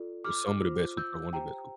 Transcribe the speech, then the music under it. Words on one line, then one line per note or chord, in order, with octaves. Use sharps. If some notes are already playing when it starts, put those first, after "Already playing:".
Or, some of the best hooper or one the best hoopers.
Already playing: F4 A4 D5
D6 F6
F4 C5
E6 G6
G4 C5 G5 A#5